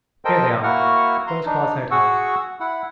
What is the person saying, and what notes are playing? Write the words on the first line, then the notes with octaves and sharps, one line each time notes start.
Here they are--first-class hotels.
A4 A#4 C5 D#5 G5
A#3 E4 F#4 F#5 C#6 F6
A#5 C6
D4 D#4
F#4 G#4 F#5 C#6 E6
E4 F#5